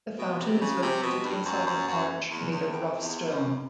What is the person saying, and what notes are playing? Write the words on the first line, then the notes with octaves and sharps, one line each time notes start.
The fountain is located inside an arch made of rough stone.
B2
C3
C#3
C3
B2
G2
F#2
F#2
F#2
E2
E2
F2
E2
F#2